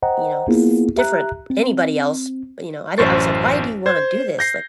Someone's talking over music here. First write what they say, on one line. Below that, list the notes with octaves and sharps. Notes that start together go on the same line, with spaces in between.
you know, s different, anybody else. But, you know, I di I was like, "Why do you wanna do this?" Like
C5 D#5 F#5 G5 A#5
A#3 B3 E4 F4 G#4
G4 E5 A#5 F#6
C4
A1 F#2 C5 C#6 A6
C5 G#6
G6 A#6 C7